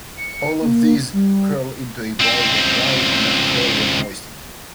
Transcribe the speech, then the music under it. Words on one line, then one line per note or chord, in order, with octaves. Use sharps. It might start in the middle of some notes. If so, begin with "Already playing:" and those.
All of these curl into a ball when dry and uncurl when moistened.
C#7
A#3
G3
C#2 C4